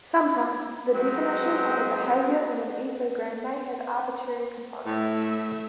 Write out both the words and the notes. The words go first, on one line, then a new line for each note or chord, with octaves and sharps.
Sometimes, the definition of a behaviour in an ethogram may have arbitrary components.
F#3 G#3 B3 C4 D#4
A2 A3 E5